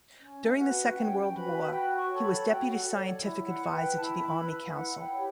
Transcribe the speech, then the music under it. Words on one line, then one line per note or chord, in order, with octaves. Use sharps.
During the Second World War he was Deputy Scientific Advisor to the Army Council.
C#4
E5
F#4 B4
F#5
C#4 G5
F#4 B4 B5
F#4 G5
C#6
A4 C#5
B5
F#4 G5
F#5
A4 C#5
D5
E4 E5
F#5
B4
G5
E4 A5
B5
B4
E4 F#5
G5
G4 C#5